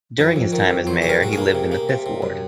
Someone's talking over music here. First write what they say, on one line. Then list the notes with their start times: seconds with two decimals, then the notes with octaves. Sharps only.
During his time as mayor he lived in the Fifth Ward.
0.18 F2 D#4
0.36 F2
0.52 D#3
0.70 F2
0.87 F#3 C5
1.02 C3 G#4
1.09 A#4
1.21 C3 F#4
1.33 A#3 G#4
1.55 C3
1.72 A#3
1.89 C3
2.06 C3
2.22 F#2